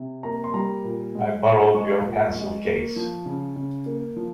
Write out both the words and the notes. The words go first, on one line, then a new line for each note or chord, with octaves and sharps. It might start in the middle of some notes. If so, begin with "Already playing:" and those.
I borrowed your pencil case.
Already playing: C3
A#3 A#5
C6
G3 A#5
A#2
G#3
A#2
G#3 C#6
A#2
G#3
A#3
F3
C#3
C#3
A#3
F3